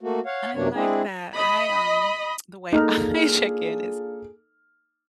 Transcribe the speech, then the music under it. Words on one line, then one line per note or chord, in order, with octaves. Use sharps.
I like that. I, um the way I check-in is
A3 A#3 F#4
C#5 F5 F#5
F#2 C3 F#3 A#3 D4 C#5
G#3 C4 D4 E4 G#4
D#5 B5
A#3 D4 D#4 F4 G#4 A4 F6